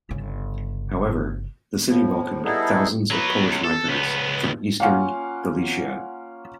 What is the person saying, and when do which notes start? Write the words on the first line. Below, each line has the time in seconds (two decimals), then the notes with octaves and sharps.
However, the city welcomed thousands of Polish migrants from Eastern Galicia.
0.11 G1 C#3
1.89 A2 F3
2.45 G3 B3 D#4 E4 G#4 A4
3.11 F#3 B4
3.44 C#2
3.64 A4
3.88 C#2 B3
4.80 A#3 C#4 F4 F5 F#5